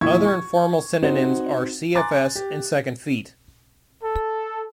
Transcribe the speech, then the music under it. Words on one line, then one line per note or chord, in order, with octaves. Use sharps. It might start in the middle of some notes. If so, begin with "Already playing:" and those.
Other informal synonyms are "cfs" and "second-feet".
E2 A#2 E4 C#6 G#6
C#6 G#6
C4 D#4 F#4 C5 F#5
G#5 A#5 C6 D6 F#6 A6
G4
A4